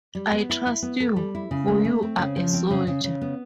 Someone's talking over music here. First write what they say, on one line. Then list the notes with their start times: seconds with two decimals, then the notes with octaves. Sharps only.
I trust you, for you are a soldier.
0.15 G3
0.32 B3
0.50 E4
0.67 E4
0.82 B3
1.00 A4
1.16 G3
1.35 E4
1.51 C#3
1.68 A3
1.85 A3
2.03 C4
2.19 C#3
2.36 F3
2.53 C4
2.71 C#3
2.87 C#3
3.04 C#3
3.21 B3